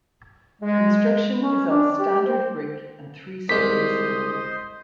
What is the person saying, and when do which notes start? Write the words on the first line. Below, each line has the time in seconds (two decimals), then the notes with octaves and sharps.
Construction is of standard brick and three stories high.
0.62 G#3
1.40 C#4
1.69 D4
1.98 G4
2.25 C5
3.49 C2 G#3 C5 D#5 B6